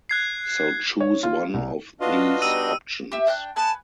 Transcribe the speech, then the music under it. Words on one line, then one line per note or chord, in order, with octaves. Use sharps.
So choose one of these options.
F#6 G#6 C7
C#5
F4
C2
D4 F4 F#4 B4 D#5 F5
G3 B3 D#4 E6 D#7
G4 E5
D4 G5 F#6
B3 B4 G#5 A5